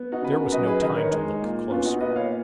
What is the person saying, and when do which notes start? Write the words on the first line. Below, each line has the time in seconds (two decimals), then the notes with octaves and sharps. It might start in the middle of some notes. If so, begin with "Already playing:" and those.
There was no time to look closer.
Already playing: B3
0.12 D#4 F#4
0.22 C#3 B4
0.32 F#4 A#4
0.52 F#3 B4 D#5
0.66 G#4 B4
0.81 D#3 B4 D#5
0.96 A#4 C#5
1.11 G#3 D#4
1.41 A#2
1.70 B3 C#4 F4
1.85 D#4 F#4
2.00 A#2 B4 D#5
2.16 C#5 F5